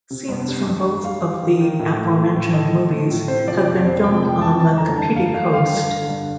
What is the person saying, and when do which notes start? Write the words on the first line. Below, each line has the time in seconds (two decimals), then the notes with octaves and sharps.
Scenes from both of the aforementioned movies have been filmed on the Kapiti Coast.
0.11 C3
0.29 G2
0.49 G3
0.66 G2
0.85 G2
1.03 G3 F5
1.23 G3
1.42 D#3
1.61 D#3
1.79 A2
1.98 A3
2.17 A3
2.35 A2
2.53 A3 D#5
2.73 A3
2.91 A3
3.10 A2
3.28 C3 C5
3.47 F3 D5
3.66 F2 D5
3.85 C3 C5
4.04 F2 G5
4.22 F2 G5
4.41 F2 A5
4.60 F2 A5
4.78 D3 A#5
4.96 G2 A5
5.15 G2 F5
5.34 A3 F5
5.45 G5
5.53 G2 F5
5.72 G2
5.91 D3
6.09 G2